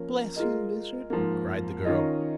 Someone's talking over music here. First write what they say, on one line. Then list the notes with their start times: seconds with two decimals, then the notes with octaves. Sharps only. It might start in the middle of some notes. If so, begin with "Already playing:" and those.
"Bless you, Lizard," cried the girl.
Already playing: F3 A#3 C#4 A#4
0.36 G#3 F4 A#4 D#5
1.10 G#2 F3 A#3
1.85 D#3 C#4 F4 A#4 D#5